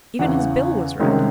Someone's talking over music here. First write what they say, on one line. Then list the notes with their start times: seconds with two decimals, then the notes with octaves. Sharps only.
Even his bill was red.
0.19 E2 C#3 E3 F#5
0.99 C2 C3 D#3 G#3 C#4